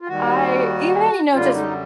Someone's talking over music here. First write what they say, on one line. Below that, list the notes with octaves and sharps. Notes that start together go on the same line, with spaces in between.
I, even, you know just
F4
D#2 D#3 G3 F#4
F#2 D3 G3 F4
D#4